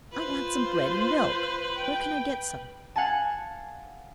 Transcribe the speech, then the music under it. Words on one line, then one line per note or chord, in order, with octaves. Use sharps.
"I want some bread and milk. Where can I get some?"
F4 B4 C5
G5
F5 F#5 G#5 A5